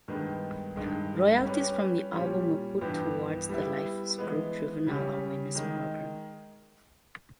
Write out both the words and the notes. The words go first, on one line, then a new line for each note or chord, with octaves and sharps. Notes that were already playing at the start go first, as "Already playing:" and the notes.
Royalties from the album were put toward the Lifers Group Juvenile Awareness Program.
G2 D#3 G#3 B3
G2 D#3 G#3 D#4
G3 C#4 G4 B4
A#2 G3 C#4
G2 E3 G3 B3 G4
G3 B3 E4
E3 G#3 B3
C#3 G3 C#4
D#3 G#3 D#4